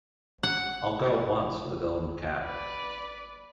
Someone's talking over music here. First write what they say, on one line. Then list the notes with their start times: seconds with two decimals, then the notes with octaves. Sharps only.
I'll go at once for the Golden Cap.
0.43 F#5
2.44 B4 D5